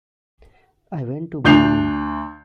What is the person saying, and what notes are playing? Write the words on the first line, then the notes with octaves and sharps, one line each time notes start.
I went to bury him.
D2 D4 G6 C7 F7